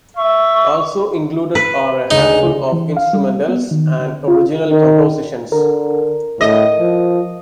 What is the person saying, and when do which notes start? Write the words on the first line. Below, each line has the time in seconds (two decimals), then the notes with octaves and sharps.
Also included are a handful of instrumentals and original compositions.
0.17 E5 C#6
1.55 B4
2.11 D2 C#3 D#4
2.72 E3
2.97 F5
3.13 G3
3.48 B3
3.71 D#3
4.00 D3
4.28 F4
4.67 D#3
5.52 D3 A#4
6.41 A2 D#5
6.79 F3